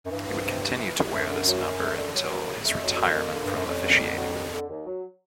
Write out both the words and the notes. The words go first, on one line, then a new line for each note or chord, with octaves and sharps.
He would continue to wear this number until his retirement from officiating.
F#2
G2 E3
C2
C3
C2
E3
C2
F#2 A3
D3
F#3
C#4
A3
D3
F#3
F#2
C#3
F2 A3
F#3
F#2
A#3
D3
G2
F3
F#2
F2 C#4
A#3
D3
F#3
D#2
D3
D#2
F#3